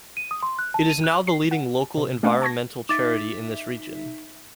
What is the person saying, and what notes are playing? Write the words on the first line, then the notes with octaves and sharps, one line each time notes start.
It is now the leading local environmental charity in this region.
D#7
D#6
C6
F#6
A5
D#7
F#6
C7
F#5
C3
A3 C#4 D4 F5 F#5
A5 C#6 G#6 A#6
D#4 E5 D6 A6 B6